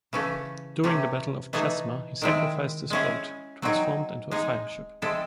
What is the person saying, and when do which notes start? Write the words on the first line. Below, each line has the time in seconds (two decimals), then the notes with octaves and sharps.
During the battle of Chesma, he sacrificed his boat, transformed into a fire ship.
0.13 C#3 E3 A3 C#4
0.84 C3 E3 A3 C#4
1.53 E3 A3 D#4 G#4
2.22 D#3 G#3 C4 E4
2.90 G#3 C#4 E4 G#4
3.62 F#3 C4 D#4 G#4
4.31 G#3 D#4 G#4
5.02 G#3 C4 E4 A4